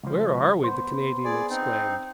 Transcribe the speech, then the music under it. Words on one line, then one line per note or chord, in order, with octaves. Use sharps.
"Where are we?" the Canadian exclaimed.
C#2 F3
B3 C5
G#4 D5
C4 D#4